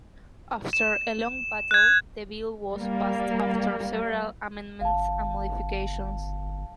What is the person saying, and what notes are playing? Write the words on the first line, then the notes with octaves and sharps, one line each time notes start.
After a long battle, the bill was passed after several amendments and modifications.
E7
F#6 G#6
G3 A#3
G1 F5 A5